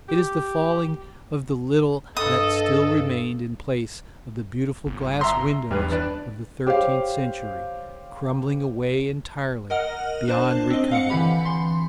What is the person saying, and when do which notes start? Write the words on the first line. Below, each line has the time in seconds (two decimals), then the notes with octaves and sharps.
It is the falling of the little that still remained in place of the beautiful glass windows of the thirteenth century, crumbling away entirely, beyond recovery.
0.09 G4
2.17 G2 A4 D#5 D#6
4.86 G1
5.21 E5 A#5 C6
5.71 E2 G2 B4
5.92 D4 B4 D5
6.66 G4 C5 C#5 F5
9.70 A#4 D#5 F#5 F6
10.28 D4 C5 A5
10.70 C4 D#5
10.91 F5 F#5 C#7
11.10 D3 E3 G4 B5
11.45 E3 C6